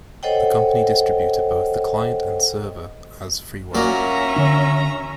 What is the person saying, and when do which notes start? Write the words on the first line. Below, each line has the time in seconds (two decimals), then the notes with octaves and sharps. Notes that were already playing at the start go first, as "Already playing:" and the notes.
The company distributed both the client and server as freeware.
0.23 A4 C5 C#5 D#5 F#5 G5
3.75 A#2 F#3 A#3 C#4 E5 A#5
4.36 D3 D4